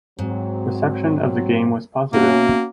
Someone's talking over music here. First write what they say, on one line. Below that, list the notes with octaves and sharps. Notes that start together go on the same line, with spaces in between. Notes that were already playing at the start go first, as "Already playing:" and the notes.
Reception of the game was positive.
G#2 F#3 C4
B2 A#3 C#4 F#4 E5